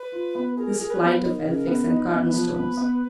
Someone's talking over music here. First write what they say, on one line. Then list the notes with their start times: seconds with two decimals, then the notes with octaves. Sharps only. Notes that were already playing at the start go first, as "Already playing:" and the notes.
"This flight of Elphick's and Cardlestone's."
Already playing: B4
0.12 F4
0.35 B3
0.57 G#4 A#4
0.79 G#4
0.89 B4
1.01 B3
1.22 D#4 A#4
1.45 C#3
1.67 B3
1.89 D#4 B4
2.11 B3
2.33 F3
2.55 B3
2.77 B3